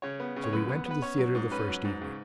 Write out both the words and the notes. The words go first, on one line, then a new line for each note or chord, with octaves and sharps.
So we went to the theatre the first evening.
C#3 C#5
B3
C#3
C#5
F#2 B4
B3
B3 B4
C#4 C#5
F#3
G#2
C#4 B4
F#3
G#2
C#3